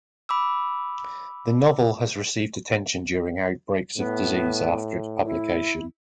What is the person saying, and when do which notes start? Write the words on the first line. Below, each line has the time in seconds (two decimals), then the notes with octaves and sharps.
The novel has received attention during outbreaks of disease after its publication.
0.29 B5 D6 E6
3.97 A2 B3
5.25 E4